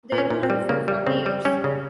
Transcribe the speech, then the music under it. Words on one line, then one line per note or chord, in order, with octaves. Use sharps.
They ruled for forty years.
A#2
C#4
A#2
C4
G3
C#3 A#3
G3
C#3 C4
G3
G3 C#4
C#3